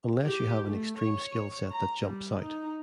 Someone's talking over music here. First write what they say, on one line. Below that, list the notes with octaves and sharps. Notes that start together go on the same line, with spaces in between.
Unless you have an extreme skill set that jumps out.
G4
A3
C#5
A#5
G3
D#4